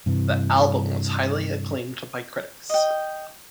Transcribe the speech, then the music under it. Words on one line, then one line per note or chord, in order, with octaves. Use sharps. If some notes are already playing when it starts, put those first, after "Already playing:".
The album was highly acclaimed by critics.
G2 C3 E3
D#5 G5